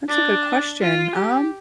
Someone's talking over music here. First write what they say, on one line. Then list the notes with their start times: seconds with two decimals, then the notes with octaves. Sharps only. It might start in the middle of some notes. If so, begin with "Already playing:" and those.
That's a good question. Um,
0.09 D4
0.81 F4
1.16 G4